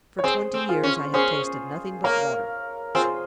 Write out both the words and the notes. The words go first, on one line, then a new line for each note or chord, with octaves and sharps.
"For twenty years I have tasted nothing but water."
C#5
C4 G#4 C5
C4
F4 G#4
C#4
C#4 G#4 C5
A#3 A#4 C#5
C4 F4 G#4